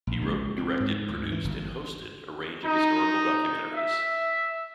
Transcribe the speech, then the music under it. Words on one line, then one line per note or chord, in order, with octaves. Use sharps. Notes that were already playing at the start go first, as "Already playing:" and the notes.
He wrote, directed, produced and hosted a range of historical documentaries.
A#1
C#2
C4
G#2
D2
E3
G1
D#4
E5